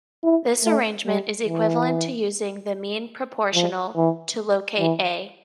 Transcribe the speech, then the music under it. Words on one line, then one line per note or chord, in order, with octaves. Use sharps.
This arrangement is equivalent to using the mean proportional to locate "a".
E4
A3
G3
E3
F3
E3
E3